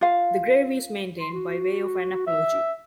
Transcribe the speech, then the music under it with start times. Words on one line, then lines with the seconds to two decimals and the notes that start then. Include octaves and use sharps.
The grave is maintained by way of an apology.
0.01 F4 F5
1.19 C6
1.33 F#4
2.27 E5